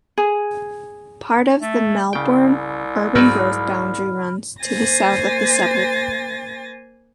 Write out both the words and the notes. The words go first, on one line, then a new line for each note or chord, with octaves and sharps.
Part of the Melbourne Urban Growth Boundary runs to the south of the suburb.
G#4
A3
C2 C#3 G5
G#2 F#3 D#4 D5 B5 F6
A#3 C5 G#5 A6 A#6